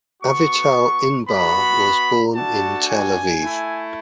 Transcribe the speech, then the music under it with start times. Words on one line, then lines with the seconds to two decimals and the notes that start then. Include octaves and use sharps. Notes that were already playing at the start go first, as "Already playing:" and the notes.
Avital Inbar was born in Tel Aviv.
0.22 B3 F#4 C#6
1.28 B3 F#4 B5
2.35 A3 D4 F#4 A5
2.89 G#5
3.42 A3 E4